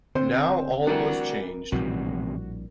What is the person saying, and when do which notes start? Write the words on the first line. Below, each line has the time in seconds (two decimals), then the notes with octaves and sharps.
Now all was changed.
0.15 D3 C4 C5
0.87 E3 G3 D4 F#4 A#4 D5 F#5
1.72 A#1 E2 A2 C3 G3 F#4